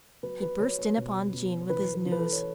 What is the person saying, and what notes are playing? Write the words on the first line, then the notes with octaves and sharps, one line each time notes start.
He burst in upon Jean with his news.
F#3 B4
B4
F#3 C#5
C#5
B2
B2
E3 B4
B4
E3
B4
A4
C#5